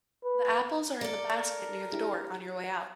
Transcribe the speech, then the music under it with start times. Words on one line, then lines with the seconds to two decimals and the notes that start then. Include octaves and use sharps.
The apples are in the basket near the door on your way out.
0.24 B4
1.01 A4 A#4 D5
1.93 D4 E4 G4